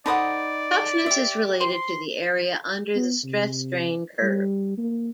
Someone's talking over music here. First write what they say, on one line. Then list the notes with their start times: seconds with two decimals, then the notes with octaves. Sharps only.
Toughness is related to the area under the stress-strain curve.
0.06 D#4 A4 C5 D5 F#5 B5 D#6
1.06 G4 E5
1.61 C5 C6
2.96 B3
3.24 C3
4.22 G3
4.78 A#3